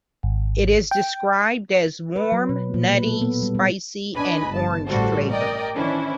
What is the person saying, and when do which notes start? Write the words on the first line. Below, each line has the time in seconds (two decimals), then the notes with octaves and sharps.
It is described as warm, nutty, spicy, and orange-flavoured.
0.23 G#1
0.91 G5
2.16 B4
2.32 F#3
2.49 B2
2.74 A#2
2.94 B4
3.06 A4
3.21 B3
3.43 G3
3.55 G3
4.15 D4 B4 D#5 G#5 B5
4.48 G1 A5
4.86 A1 A2 G3 F#4 A4 C5
5.28 A#4 D5 D#5 G5
5.75 D#3 E3 C#4 D4 E4 C5